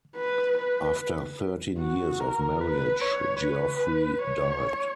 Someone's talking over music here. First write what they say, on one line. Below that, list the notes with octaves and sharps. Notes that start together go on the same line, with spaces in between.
After thirteen years of marriage Geoffery died.
B4
B4
F#4
A#4
B4
C#5
B4
C#5